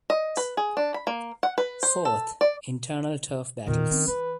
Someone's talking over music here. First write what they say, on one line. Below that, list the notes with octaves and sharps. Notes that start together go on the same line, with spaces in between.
Fourth, internal turf battles.
D#5
B4
G#4
D4
B5
A#3
F#5
B4
C5
A4
D5
E2 A#2 D#3
C4 C#4
E3 B4